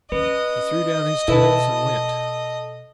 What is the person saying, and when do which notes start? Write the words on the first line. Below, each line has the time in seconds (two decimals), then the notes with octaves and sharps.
He threw down his tools and went.
0.12 C#4 B4 D#5
1.28 B2 E4 A4 B4 A5